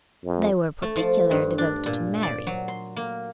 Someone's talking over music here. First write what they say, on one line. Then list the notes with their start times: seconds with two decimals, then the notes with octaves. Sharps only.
They were particularly devoted to Mary.
0.25 F2
0.82 A3
0.96 F3
1.31 G2
1.58 D4
1.86 A#2
2.23 D5
2.47 F#3
2.68 C6
2.96 A#3